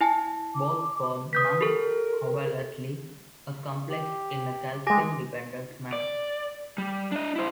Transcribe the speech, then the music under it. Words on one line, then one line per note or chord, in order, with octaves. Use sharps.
Both form non-covalently a complex in a calcium-dependent manner.
E4 G#5 A5
D6
B4 D#6 G6 B6
G4 A4 A#4
G4
G#3 G4 G#5 D6 A#6
D5
G3
D4 D#5
E4 C5